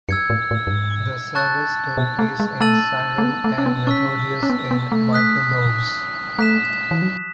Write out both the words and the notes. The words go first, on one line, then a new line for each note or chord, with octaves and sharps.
The service took place in Cyril and Methodius in Michalovce.
F#2 E6 G#6 C#7
A2
A2
F#2
G#2
A5 C#6 F#6 A6
B2
A3
G#3
A3 A5 E6 A6 D#7 F#7
A3
B3
A3
C#4
B3
C#4 C#6 E6 B6
C#4
B3
B3
A3
D#6 F#6 B6
A3 F#6 B6 E7
E3
F#3